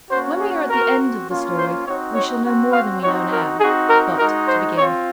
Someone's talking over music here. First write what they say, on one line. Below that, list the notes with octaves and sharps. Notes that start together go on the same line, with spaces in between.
When we are at the end of the story, we shall know more than we know now: but to begin.
A#3 C#4 F#4 C5
G#4
C4 F#4 A#4
A#3 C#4 F4
C5
C4 D#4 F#4 C#5
C#5
C4 F#4
F5
C4 D#4 F#4 C#5
A#4
C4 D#4 F#4 G#4
A#4
G#3 D#4 F#4 A#4
C5
C4 F4 C#5